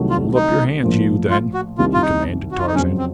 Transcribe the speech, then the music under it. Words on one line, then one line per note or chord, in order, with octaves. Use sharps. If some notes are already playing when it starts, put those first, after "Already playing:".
"Hold up your hands, you, then," he commanded Tarzan.
Already playing: C2 C3 D#3 F#3 A3
F4
D#4
A#1 A2 F3 A#3
F4
F#4
C2 C3 D#3 F4
F4
D#4
F#4
F4
D#4
F2 C#3 F#3 C#4
C4